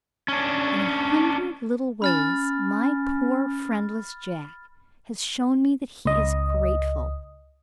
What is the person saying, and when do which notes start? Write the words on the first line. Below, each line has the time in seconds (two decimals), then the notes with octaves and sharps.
In a hundred little ways my poor friendless Jack has shown me that he is grateful.
0.28 C#4 D4
2.02 C#4 B5 F6 A6
6.05 C#2 D#5